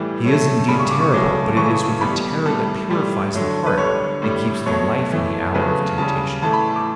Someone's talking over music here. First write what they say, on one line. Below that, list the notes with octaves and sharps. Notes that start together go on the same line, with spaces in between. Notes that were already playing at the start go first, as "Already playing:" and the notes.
He is indeed terrible, but it is with a terror that purifies the heart and keeps the life in the hour of temptation.
Already playing: A2 E3 G3
A2 F#3 A3
C#3 G3 B5
C#6
D6
C#6
C#3 F#3 A3 D6
C#3 E3 A3 C#6
B2 G3 B5
A2 G3 A5
A2 G3
D3 F#3 A3
B4
D3 G3 C#5
A2 G3
B2 F#3 A3 C#5
A2 E3 A3
C#3 F#3 A3 B4
C#3 G3 A5
A2 E3 A3 A5
B5
D6